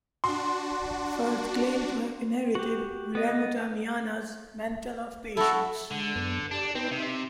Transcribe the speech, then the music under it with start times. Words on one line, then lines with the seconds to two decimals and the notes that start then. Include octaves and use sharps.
Firth claimed to have inherited Wiremu Tamihana's "mantle of patience".
0.24 D4 F#4 C6
2.55 F#4 G4
3.15 B3 D#5
5.37 E4 F#4 A4
5.91 D3 G#3
6.15 F#2 B3
6.51 D4 G4 D5
6.75 B3 C4 D#4 B4
6.91 C3 D#4 E5